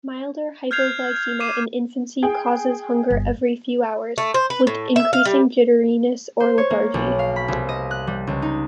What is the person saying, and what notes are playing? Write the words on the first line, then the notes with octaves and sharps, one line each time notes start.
Milder hypoglycemia in infancy causes hunger every few hours, with increasing jitteriness or lethargy.
F6 G6 G#6 C7 F7
D6 C7 D#7 E7
G#4 G5
G1
A3
C5
B4
A2
E5
F5
G3
C5
C#5
A#3
B1
F5
B5
C2
D#5
F#6
G3
C#2
D#4